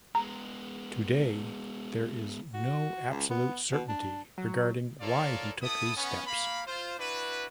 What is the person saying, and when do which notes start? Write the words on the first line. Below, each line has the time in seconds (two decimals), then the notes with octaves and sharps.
Today, there is no absolute certainty regarding why he took these steps.
0.15 G#3 B3 A#5
2.54 F#4
3.10 C#2
3.30 B3
3.72 B2
3.89 D4
4.38 F#3
5.01 F4 A4 A#4 C#5 D5 F5
5.62 B3 E4 A4 D#6
5.96 B3 C#4
6.27 A#3 F5 B5
6.67 F4 C5
6.99 D4 E4 F#4 B4